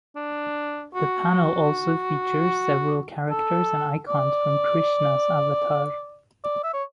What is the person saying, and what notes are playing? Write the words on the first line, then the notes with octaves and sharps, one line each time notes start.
The panel also features several characters and icons from Krishna's avatar.
D4
F#4
A4
D5
D5
E5
C#5